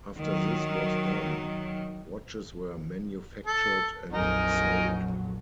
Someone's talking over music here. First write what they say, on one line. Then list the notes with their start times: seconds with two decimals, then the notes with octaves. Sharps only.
After this was done, watches were manufactured and sold.
0.17 D#3 F#3
3.46 A4
4.13 A#1 F2 F#3 D#4 A#4 G#5